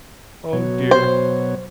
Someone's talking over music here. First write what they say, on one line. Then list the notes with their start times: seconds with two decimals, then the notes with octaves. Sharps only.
Oh, dear!
0.53 B2 F#3 C#5
0.91 C5